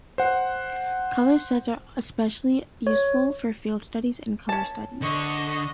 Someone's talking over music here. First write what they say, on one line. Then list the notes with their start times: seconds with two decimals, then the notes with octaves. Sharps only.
Colors sets are especially useful for field studies and color studies.
0.18 C5 F#5
2.87 C#5
4.49 C#4 A5
5.02 D3 D#5 C#6